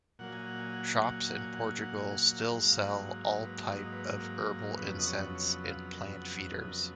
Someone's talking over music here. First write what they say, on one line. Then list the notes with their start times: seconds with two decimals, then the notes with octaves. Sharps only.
Shops in Portugal still sell all type of herbal incense and plant feeders.
0.19 A#2 F#3 A#3 F#5
0.33 G#5
0.47 F#5
0.60 G#5
0.73 F#5
0.87 G#5
1.01 F#5
1.14 G#5
1.28 F#5
1.41 G#5
1.55 F#5
1.68 G#5
1.83 F#5
1.96 G#5
2.09 F#5
2.39 F5
2.48 G#2 F#3 A#3 F#5
2.66 F5
2.77 F#5
3.06 F#5
3.25 A#4
3.44 B4
3.64 D#5
3.92 B4
4.20 A#4
4.39 A#4
4.58 A#4
4.78 F2 C#3 F#3 B3 B4
4.99 D#5
5.07 C#5
5.35 C#5
5.64 F5
5.92 A#4
6.07 B4
6.22 F#5
6.36 F#5
6.50 D#5
6.69 A#4